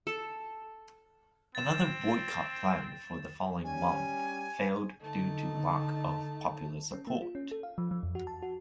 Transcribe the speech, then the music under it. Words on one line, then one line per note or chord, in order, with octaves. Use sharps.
Another boycott planned for the following month failed due to lack of popular support.
A4
C4 A6 E7
G3 C#4 G#5
D3 A3 D#4 A5
C#4
A#3
F4
C#4
A4
F5
F3
F3
F2
F#4
A5
F#4